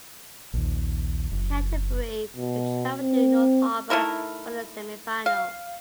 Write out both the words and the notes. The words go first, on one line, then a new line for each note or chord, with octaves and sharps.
Canterbury would travel to North Harbour for the semi-final.
A#1 D#2
F#1
B2
C4
A3 D#4 E4 A#4
F5